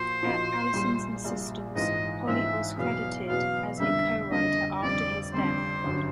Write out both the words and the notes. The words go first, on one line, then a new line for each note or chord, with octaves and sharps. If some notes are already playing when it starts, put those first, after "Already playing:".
At Allison's insistence, Holly was credited as a co-writer after his death.
Already playing: A#2 F3 A#3 F#4 C5
A#2 F3 A#3 D#4 F#4
A#1 A#2 G3
A#1 A#2 G3
G#2 E3 G#3 C4 F4 D#5
G#2 E3 G#3 C4 F4 E5
E2 B2 F#3 B3 F5
E2 B2 F#3 B3 F5
F2 D3 G3 A#3 D4 E5
F2 D3 G3 A#3 D4 D#5
F1 F2 D3 G3 C4 D5
F1 F2 D3 G3 C4 C5
G1 F#2 D3 F#3